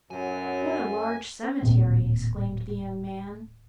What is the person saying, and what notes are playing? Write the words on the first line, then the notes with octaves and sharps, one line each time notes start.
"What a large cemetery!" exclaimed the young man.
F#2 F#3 G#5
D1 D#2 A#2 C4